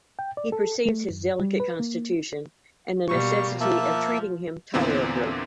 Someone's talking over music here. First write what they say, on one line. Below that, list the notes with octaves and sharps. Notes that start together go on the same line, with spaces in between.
He perceives his delicate constitution, and the necessity of treating him tolerably.
G5
D5
A4
A3
F#2
G3
B4
A#3
B2 G3 A#3 C#6
F3 A#3 E5 A5
E2 A#2 D3 B3 C4 E4